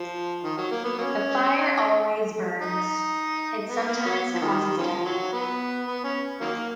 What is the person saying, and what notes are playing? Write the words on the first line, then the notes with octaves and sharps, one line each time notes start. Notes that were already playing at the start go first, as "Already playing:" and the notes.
The fire always burns, it sometimes causes death.
Already playing: F3
D#3
F#3
A#3
B3
F#3 A#3 C#4
D#4
B3
A#3
F#3
F3
D#3
D#3
C#3 F3
D#3 F#3
B3
B3
C#4
D#3 F#3 A#3